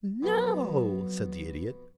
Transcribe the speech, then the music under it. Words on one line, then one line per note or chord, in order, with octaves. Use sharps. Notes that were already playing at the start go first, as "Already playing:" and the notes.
"No," said the Idiot.
F2 B2 F#3 B3